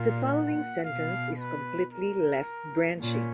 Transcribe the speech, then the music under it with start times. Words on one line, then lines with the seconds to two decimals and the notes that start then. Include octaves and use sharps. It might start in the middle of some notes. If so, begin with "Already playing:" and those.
The following sentence is completely left-branching.
Already playing: A#2 F5
0.31 F#5
0.84 B2 F5
1.38 B4
1.93 A#4
3.01 A#2 C#4